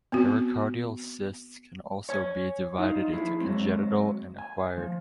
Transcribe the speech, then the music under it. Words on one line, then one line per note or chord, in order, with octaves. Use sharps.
Pericardial cysts can also be divided into congenital and acquired.
B3 C4 F#4
C#5 G#5
D#4 F4
F3 E4 G#4
F#3 G#3 C4
G#5
F3